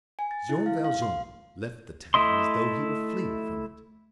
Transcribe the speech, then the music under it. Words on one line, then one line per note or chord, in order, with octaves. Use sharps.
Jean Valjean left the town as though he were fleeing from it.
G#5
A6
E4
F5
F5
C6
A3 E4 D#5 C6